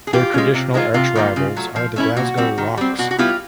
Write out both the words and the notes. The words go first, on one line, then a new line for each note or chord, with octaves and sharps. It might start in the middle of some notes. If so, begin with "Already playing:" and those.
Their traditional arch rivals are the Glasgow Rocks.
G#4
E3 F4 G4
G#3 C#4
C3
D#3 G#3 C#4 F4
C3 F4
D#3 G3 A#3
C#3
F#3 A3
F3
A3 C#4 E4
A#2 F#4
G3 C4
D#3
G3 C4
B2 F#4
F#4
G3 B3 E4 F4 G4